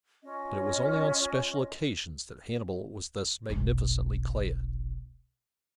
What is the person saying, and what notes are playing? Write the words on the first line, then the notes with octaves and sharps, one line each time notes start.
But it was only on special occasions that Hannibal was thus magnificently clad.
C#4 F4 D#5
F1 B1